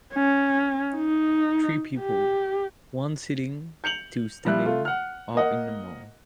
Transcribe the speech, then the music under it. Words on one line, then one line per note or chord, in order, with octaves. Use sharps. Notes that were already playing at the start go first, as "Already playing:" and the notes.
Three people, one sitting, two standing, are in a mall.
C#4
D#4
G4
G6 C#7 F7 F#7
F3 G3 E4 F#6
A3 F4
F#5 F6
A#3 A#4 D#5 F#5